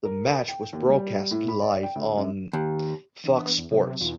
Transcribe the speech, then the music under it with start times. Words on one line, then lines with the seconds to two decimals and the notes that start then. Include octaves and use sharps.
The match was broadcast live on Fox Sports.
0.05 A#4
0.48 G5
0.73 D#2
0.89 G3
1.31 A2
1.48 B5
1.62 D5
1.83 G5
1.95 D2
2.17 F#2
2.53 D#2
3.24 E3 D4
3.36 B3
3.58 E2
3.71 C3 F#3
4.00 E2 B2 D#4 F4